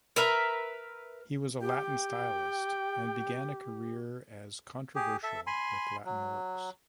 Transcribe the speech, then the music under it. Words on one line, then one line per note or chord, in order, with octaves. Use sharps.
He was a Latin stylist, and began a career as controversial with Latin works.
A#4 B4 E5 A#5
G4 G5
G4 G#4
A4 E5
G#5 B5 C6
F#3